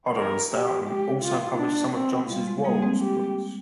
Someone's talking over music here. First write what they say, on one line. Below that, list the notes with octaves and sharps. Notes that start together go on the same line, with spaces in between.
Hodder and Stoughton also published some of Johns' Worrals books.
A#4
G4
G#3 G4
F4
D4
C4
G3 F4
G#3
G3 A#3 G#4
G#3 C4
G4